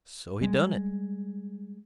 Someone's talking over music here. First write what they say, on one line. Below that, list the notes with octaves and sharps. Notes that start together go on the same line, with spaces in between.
So he done it.
G3 G#3